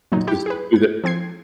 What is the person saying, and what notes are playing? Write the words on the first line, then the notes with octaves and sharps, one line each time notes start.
Because do tha
A#2 F#3 D#4
E4 G4
G#4 B4
G#6
F3 C4 G#6 C7